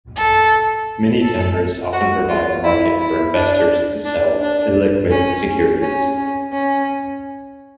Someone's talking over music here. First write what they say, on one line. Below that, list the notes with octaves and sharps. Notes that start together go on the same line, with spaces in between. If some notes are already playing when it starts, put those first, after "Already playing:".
Mini-tenders often provide a market for investors to sell illiquid securities.
A4
A4
F#4
F4
E4
E4
D4
D4
D4
C#4
C#4
C#4
C#4